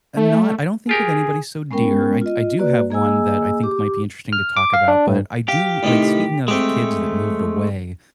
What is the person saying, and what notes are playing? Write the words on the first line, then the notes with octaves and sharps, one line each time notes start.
Eh, not I don't think with anybody so dear, I d I do have one that I think might be interesting to talk about, but I do like, speaking of kids that moved away,
A3
F4 G4 G#4 A#4
G#3 B3 C#4 A#4 G5
F4 D#5
A#3 F#4 B4 D5
A#3 G#4 D#5 G#5 E6
G4 D6
F6
D6
F5
D4
G2
G4 F5
A2 C3 D#3
G#3 A3 C4 G4